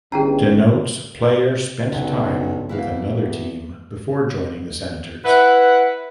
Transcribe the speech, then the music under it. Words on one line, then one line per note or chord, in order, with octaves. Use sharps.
Denotes player spent time with another team before joining the Senators.
G1 C#4 E4 G4 G#4 G5 A#5
B1 G2 C#3 A4
E2 E4 F#4 F5
E4 B4 F#5